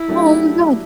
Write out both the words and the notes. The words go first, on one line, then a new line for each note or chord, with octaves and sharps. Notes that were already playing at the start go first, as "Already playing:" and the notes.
Oh, my god.
Already playing: E4
F#3 A3 D4 G4